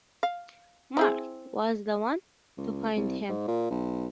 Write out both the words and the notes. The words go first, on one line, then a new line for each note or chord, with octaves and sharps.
Mark was the one to find him.
F5
C4 E4 G#4
C#2
C2
G#2
A#2
B1